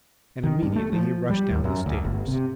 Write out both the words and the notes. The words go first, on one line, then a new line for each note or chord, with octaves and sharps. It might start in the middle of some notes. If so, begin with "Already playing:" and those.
And immediately he rushed down the stairs.
D#3
G2
A3
F3
G3
D#2
F#2
D2
G1
C3